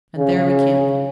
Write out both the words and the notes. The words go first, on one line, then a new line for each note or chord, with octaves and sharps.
And there we camped.
C#3